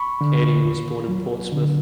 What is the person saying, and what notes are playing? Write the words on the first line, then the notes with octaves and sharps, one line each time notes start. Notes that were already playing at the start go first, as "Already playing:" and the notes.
Katy was born in Portsmouth.
Already playing: B5 C#6
D3
D#2
F#3
D3